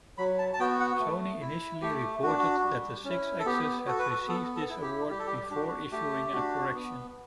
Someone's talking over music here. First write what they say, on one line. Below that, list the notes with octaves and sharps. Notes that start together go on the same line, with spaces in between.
Sony initially reported that the Sixaxis had received this award before issuing a correction.
F#3 B5
A5
A5
B3 F#4 G5
F#5
A3
E4
A3 G4
D4 F#4
F#4
G3
C#4 E4
A4
B3 G4
F#4 A4
B4
A4
B3 A4
A4
E4
G4
G3 G4
A4
G4
D4 F#4 G4
A3 G4
D4 F#4
B3